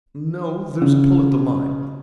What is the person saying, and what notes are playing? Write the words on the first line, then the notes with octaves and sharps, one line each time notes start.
No, there's a pull at the line.
C#3